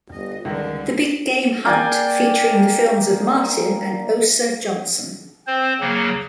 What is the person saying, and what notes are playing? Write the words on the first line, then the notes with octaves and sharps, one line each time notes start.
"The Big Game Hunt" featuring the films of Martin and Osa Johnson.
G1 D#5
C#2 D3 D#3 G3
A#3 D5 G5 G#5
C4 C5
C#3 F#3 A#3